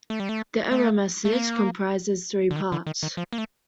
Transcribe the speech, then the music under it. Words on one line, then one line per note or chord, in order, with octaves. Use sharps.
The error message comprises three parts.
A3
G3
A3
A3
A3
A#3
D3
D#3
D3
D#3
D#3
F3
A#3
A3